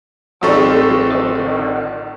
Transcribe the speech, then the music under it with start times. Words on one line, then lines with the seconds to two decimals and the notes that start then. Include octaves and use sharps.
Oh, really? Oh, god. Uh,
0.43 A1 C4 D#4 F4 A4 C#6